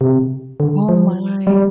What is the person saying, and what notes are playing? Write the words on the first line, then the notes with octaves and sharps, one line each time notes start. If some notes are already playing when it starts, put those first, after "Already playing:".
Oh my.
C3
D3
F3
G3